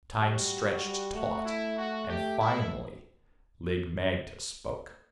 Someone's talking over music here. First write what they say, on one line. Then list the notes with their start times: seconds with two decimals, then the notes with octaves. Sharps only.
Time stretched taut, and finally Lig-magte spoke.
0.20 G3 F#4
0.84 G3
1.14 A3 F#4
1.46 E4
1.77 F#4
2.09 A3 G4
2.40 E4